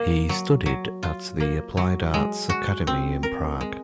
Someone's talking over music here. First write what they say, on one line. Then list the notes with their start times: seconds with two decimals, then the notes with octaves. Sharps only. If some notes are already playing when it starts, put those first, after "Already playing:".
He studied at the Applied Arts Academy in Prague.
Already playing: A#3
0.29 F#3
0.66 F#3
1.03 F4
1.40 A#3
1.77 F#3
2.14 G#3
2.49 F#4
2.87 C4
3.23 A#4
3.61 G#3